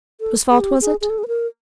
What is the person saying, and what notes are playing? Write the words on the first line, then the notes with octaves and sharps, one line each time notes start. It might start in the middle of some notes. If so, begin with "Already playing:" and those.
Whose fault was it?
A4
G#4
G4
G#4
G#4
A4
G#4
B4
A#4